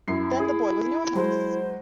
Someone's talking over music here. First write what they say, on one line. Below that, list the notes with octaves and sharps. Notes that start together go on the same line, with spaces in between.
Then the boy was in your house!
F#2 E4 C7
G#4
F#3 G#3 C5